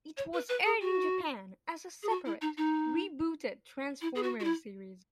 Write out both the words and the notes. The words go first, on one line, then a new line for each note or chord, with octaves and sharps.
It was aired in Japan as a separate, rebooted Transformers series.
C#5
B4
B4
G#4
F#4
G#4
F#4
E4
D#4
D#4
E4
G#4
F#4
F#4
E4